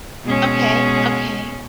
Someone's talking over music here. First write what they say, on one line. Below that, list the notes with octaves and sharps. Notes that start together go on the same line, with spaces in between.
Okay, okay.
B2 G#3 C#4